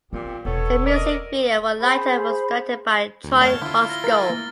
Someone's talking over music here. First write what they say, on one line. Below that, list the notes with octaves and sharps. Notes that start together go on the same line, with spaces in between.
The music video for "Lighter" was directed by Troy Roscoe.
A#2 B3 C4 G4
E1 B3 A4 C#5
A#4 D5 D#5
G#4 C5 B5
D2
F2 A3 C#5 G#5 A5 F6 G7
D3 E4 F4
A#6 G7
A#4 A6
A#3